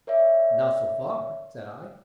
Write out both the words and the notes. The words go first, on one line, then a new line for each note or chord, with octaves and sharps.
"Not so far," said I.
A#4 C#5 D5 E5